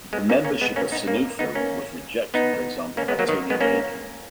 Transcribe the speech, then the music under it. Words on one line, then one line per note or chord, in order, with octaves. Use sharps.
The membership of Senufo was rejected for example by Tony Naden.
G#3 B3
A#3 C#4
A#3 C#4
G#3 B3
A#3 C#4
B3 D#4
A#3 C#4
B3 D#4
A#3 C#4
B3 D#4
A#3 C#4
G#3 B3
F#3 A#3
D#3
G#3 B3
A#3 C#4